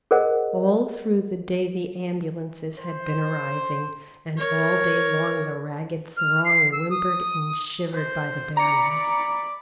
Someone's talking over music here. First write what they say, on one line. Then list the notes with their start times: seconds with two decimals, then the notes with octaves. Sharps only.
All through the day the ambulances had been arriving, and all day long the ragged throng whimpered and shivered by the barriers.
0.11 G#4 A#4 C5 D#5 F#5
2.78 C5
4.38 A#4 C#5
6.17 F6
6.45 C7
6.72 E6
6.90 D#6
7.92 C5
8.57 D5 A#5 B5 C#7